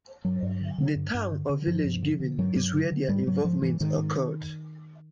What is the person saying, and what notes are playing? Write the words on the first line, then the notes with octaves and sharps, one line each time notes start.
The town or village given is where their involvement occurred.
G2 F#3
G2
D3
D3
G2
G2
D3
D3
G2 F3
G2
D3
D3
G2 F#3
G2
D3
D3
G#2 G3
G#2 F#3
G#2 F3
G#2 E3
G#2 D#3
G#2